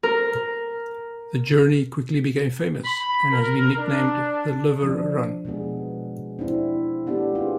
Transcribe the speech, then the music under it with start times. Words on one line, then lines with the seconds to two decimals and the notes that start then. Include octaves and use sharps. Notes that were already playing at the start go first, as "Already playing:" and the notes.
The journey quickly became famous, and has been nicknamed the Liver Run.
0.03 A#4
2.85 B5
3.31 A#4
3.77 D4
4.83 F3 D4
5.45 B2 G#3 B3 G#4
6.39 C4 D4 E4
7.06 A3 B3 D4 G4
7.35 C4 F4 G#4